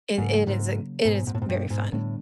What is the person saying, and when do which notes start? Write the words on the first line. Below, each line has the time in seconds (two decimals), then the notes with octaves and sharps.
i it it is it is very fun.
0.18 G#2 C#3 F#3 A#3
0.47 G#2
1.05 G#2 B2 G#3 B3
1.27 G#2
1.35 A2
1.42 G#2
1.49 G2
1.70 G#2
1.93 A2 D3 G3 B3 D4